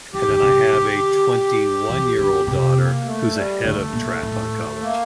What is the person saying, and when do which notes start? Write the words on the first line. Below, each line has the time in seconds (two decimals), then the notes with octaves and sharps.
and then I have a twenty-one-year-old daughter who's ahead of track on college.
0.14 E3 G4
0.28 D3
0.42 C3
0.57 C3
0.72 D3
1.30 G4
1.89 E3
2.18 D3
2.47 C3 G4
2.76 A#3
3.05 A3
3.35 G3
3.63 D3 A3
3.93 A#2
4.22 A2
4.81 A#3